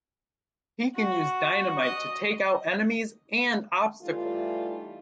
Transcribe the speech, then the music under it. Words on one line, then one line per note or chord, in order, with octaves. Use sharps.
He can use dynamite to take out enemies and obstacles.
F#4
D#5
E3 G3 A3 D#4 F4